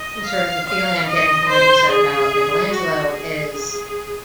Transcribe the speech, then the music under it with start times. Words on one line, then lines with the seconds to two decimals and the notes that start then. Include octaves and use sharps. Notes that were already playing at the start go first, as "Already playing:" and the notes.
sort of the feeling I'm getting from what you said about Michelangelo is
Already playing: D#5
0.26 F5
0.67 F5
1.08 D#5
1.49 C5
1.90 G#4
2.71 F#4
3.12 G#4